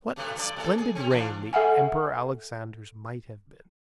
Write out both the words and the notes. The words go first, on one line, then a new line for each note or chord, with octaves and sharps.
"What a splendid reign the Emperor Alexander's might have been!"
F#2 C3 A3
G2 D5
B2 A4
G#4
C4 C#4
E3 C4 D4
A4 E5 F#5 G#5